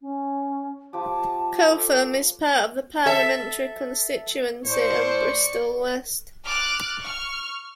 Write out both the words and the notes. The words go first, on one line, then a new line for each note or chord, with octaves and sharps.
Cotham is part of the parliamentary constituency of Bristol West.
C#4
F3 G4 A5 D6
A4
A4 E5
A2 C5 D5 C#6
D6 F6 F#6 A6
C#6 F6